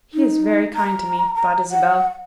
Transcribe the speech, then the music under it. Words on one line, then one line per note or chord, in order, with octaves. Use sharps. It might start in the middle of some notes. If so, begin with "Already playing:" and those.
"He is very kind to me," thought Isabel.
D#4
A#5
A#5
F#5